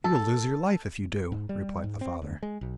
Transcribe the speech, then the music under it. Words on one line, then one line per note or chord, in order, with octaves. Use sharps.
'You will lose your life if you do,' replied the father.
A4
G#2
G3
G#2
C4
D2
G#3
B1